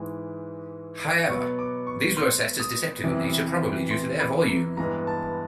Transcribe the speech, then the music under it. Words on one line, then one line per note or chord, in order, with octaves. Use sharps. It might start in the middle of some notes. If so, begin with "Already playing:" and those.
However, these were assessed as deceptive in nature probably due to their volume.
Already playing: G#2 E3 G#3
B2 F#3 B3 C#6
D6
C#6
C6
D#6
E2 C3 E3
C6
B5
A#5
G2 E3 G#3 B3 A#5
A5